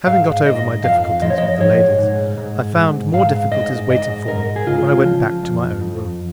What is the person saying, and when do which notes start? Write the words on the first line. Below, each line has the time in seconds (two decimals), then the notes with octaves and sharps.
Having got over my difficulties with the ladies, I found more difficulties waiting for me when I went back to my own room.
0.07 G#2 F5
0.46 G#2 D#5
0.84 F2 F5
1.22 F3 D#5
1.30 C#5
1.38 D#5
1.60 G#2 C#5
1.99 G#2
2.38 G#2
2.76 G#2
3.13 G#2 F5
3.52 G#2 D#5
3.90 G#2 D#5
4.28 G#2 A#4
4.56 G#4
4.67 C#2 F4
5.05 F3
5.43 F2
5.81 F2